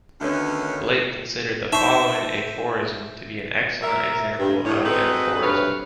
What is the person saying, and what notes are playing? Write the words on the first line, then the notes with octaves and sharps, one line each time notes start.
Blake considered the following aphorism to be an excellent example of an aphorism.
D2 D3 D#3 A3 B3 C#4
D#4 C5 E5 C#6
A#4 E5
G2
A2 D#3 C#5
C4 D#4 F#4 G#4 A4 B4
D2 G2 C3 B4 C#5 F5